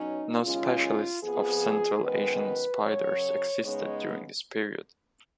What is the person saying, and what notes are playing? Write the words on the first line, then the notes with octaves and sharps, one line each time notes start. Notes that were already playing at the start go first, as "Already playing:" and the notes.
No specialists of Central Asian spiders existed during this period.
Already playing: B2 F#3 C#4 D#4
D#2 C#3 G#3 C#4 F4
F2 F3 B3 G#4
F#2 D#3 G#3 B3 B4
F#2 C#3 F#3 C#4 C#5
C#3 G#3 B3 D#4 C#5